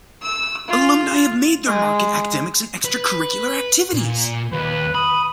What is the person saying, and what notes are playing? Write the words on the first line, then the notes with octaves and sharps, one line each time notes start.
Alumni have made their mark in academics and extra curricular activities.
E6
F4
G#3
B4
A#2
D#2 B4
B5 D#6